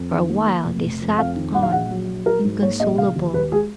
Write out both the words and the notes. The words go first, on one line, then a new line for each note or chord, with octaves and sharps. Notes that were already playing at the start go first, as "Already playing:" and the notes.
For a while they sat on, inconsolable.
Already playing: F2
D#3
A#3
A#3
F1
F1
F2
F2 F5
D#3
A#1 F#5
F5
A#1 F#5
F#3
A#1
F#3 A#4
G#2
A#3 C#5
A#1 D#5
C#3 F5
D#2
D#2 B4
G#3 G#4